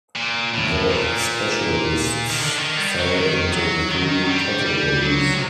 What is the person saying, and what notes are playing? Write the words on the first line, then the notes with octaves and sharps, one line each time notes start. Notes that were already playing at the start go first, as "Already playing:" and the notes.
The specialists fell into three categories.
A#2
A2
A#2
D#3
D3
D#3
G3
F#3
D#3
F#3
D#3
F#3
G3
G3
F#3
C3